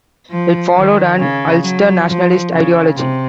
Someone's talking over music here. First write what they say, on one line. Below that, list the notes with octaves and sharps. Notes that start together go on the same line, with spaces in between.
It followed an Ulster nationalist ideology.
F3
D#3
C#3
F#3
F3
C#3
C3